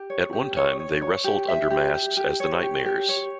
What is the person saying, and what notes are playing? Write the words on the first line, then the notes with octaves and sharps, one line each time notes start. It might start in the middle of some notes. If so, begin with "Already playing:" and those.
At one time, they wrestled under masks as The Nightmares.
Already playing: G4
C#5
G4
C#5
C#5
C#5
G4
E5
G4
G4
G4
C#5
G4
G4
C#5